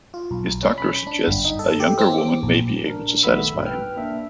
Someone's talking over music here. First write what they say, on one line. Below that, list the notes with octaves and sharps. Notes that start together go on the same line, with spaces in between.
His doctor suggests a younger woman maybe able to satisfy him.
F4
B1
C#4
B5
D4
G1
D#4
A4
G4
C4
D6
A#1
D4 A#4
A#1 D#3 A3 B3 B5 E6
A#1 G2 B2
B4 G5 F6
A#3 D4 E5